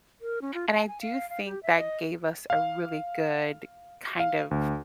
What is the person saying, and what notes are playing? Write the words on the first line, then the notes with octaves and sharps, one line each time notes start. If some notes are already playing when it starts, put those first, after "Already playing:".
and I do think that gave us a really good kind of
A#4
C#4
F4
A5
G#5
F5
F5
G4
E5
D#5
F5
F5
D2